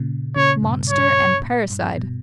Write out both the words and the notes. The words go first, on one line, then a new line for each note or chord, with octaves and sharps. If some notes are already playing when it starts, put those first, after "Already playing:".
Monster and parricide!
Already playing: A#2 C#3
A#2 C#3 C#5
G2 B2
G2 C#5
A#2
G2
B2